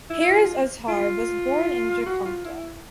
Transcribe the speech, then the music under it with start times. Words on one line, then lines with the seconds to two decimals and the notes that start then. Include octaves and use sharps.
Haris Azhar was born in Jakarta.
0.10 E4
0.21 E4
0.29 F4
0.88 F4
2.06 F#4
2.26 F4
2.45 E4